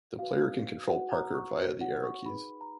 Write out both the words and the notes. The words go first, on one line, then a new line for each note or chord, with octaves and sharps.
The player can control Parker via the arrow keys.
F#4 B4 F5
F#4 B4 F#5
A#5
C#6
F#4 C#5
F#5
C#6
D#4 G#4 B4 B5
A#5